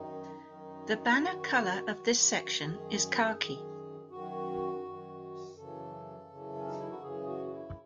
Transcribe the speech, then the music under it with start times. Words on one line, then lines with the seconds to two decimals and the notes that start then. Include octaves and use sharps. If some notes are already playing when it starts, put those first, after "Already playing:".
The banner colour of this section is khaki.
Already playing: F#2 D#3 D#4
0.45 F#2 D#3
1.00 D#4
1.09 E4
1.18 F#2 D#3 F#4
1.92 F#2 D#3
2.58 F#4
2.65 F#2 D#3 G#4
3.38 F#2 D#3
4.11 F#2 D#3 F#4
4.84 F#2 D#3
5.57 F#2 C#3 E3 A4
6.30 F#2 C#3 E3
6.55 C#4
6.67 D#4
6.79 E4
6.91 F#4
7.03 F#2 C#3 E3 G#4
7.27 F#4
7.46 F#4
7.52 E4